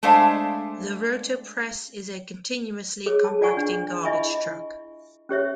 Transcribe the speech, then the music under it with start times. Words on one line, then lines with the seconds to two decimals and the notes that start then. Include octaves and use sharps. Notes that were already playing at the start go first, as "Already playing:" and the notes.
The Rotopress is a continuously compacting garbage truck.
0.03 G#3 A3 D4 C5 F5
3.06 G#4 A4 C#5
3.24 A5
3.41 F4 D5 F#5 G#5 C#6
3.57 D4
4.03 E4 D#5 E5 G#5 B5 C#6
5.29 C#4 G4 C#5 E5